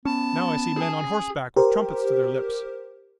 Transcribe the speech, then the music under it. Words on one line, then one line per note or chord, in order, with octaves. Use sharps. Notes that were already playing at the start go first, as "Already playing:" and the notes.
Now I see men on horseback with trumpets to their lips.
B3 C#4 A5
G#4 G#5
G4 A#4 C5